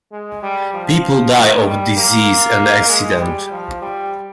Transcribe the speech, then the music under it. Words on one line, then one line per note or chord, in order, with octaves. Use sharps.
People die of disease and accident.
G#3
G3
F3
D#3
G3
A#3
G#3
G3
F3
G3